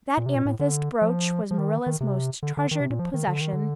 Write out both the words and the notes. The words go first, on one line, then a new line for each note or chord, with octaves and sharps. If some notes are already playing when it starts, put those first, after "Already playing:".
That amethyst brooch was Marilla's most treasured possession.
A#2
C3
A#2
A2
D3
F3
F3
D#3
D#3
C3
D3
D3
D#3
C3
A#2
F3
D#3
D3
D#3
D3